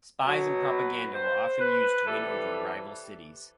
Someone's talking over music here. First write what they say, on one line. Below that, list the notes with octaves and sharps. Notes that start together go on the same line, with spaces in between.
Spies and propaganda were often used to win over rival cities.
B2
F#3
B4
C5
B4
C3 E3 G3 A4